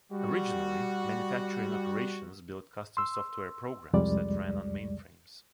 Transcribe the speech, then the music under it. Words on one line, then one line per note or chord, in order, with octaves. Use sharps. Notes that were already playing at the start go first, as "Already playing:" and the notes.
Originally, manufacturing operations built custom software programs that ran on mainframes.
G3 F#4
C6 E6
C2 F2 G3 G#3 D5